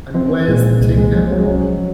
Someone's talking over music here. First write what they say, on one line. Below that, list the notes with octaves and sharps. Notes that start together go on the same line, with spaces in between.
And where's the tinker?
F3 C4
A#2 G#3
C2 G#3
G#3
F3 G#3
F#3
G#3
F#3 C#4